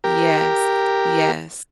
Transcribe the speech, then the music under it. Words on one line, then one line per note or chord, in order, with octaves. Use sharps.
Yes, yes.
G4 A#4